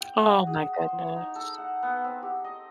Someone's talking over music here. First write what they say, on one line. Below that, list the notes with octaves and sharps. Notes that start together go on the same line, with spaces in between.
Oh, my goodness.
G5
F#4
G#4
C5
C#5
D#4
A4
F#5
B3
C4
G4
D#5